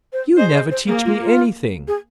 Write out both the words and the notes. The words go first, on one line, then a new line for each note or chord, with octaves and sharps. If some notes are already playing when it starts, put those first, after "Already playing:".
"You never teach me anything."
C5
G#4 C5 D#5
D#5
C5
A#3 G#4
F4
F4
G#4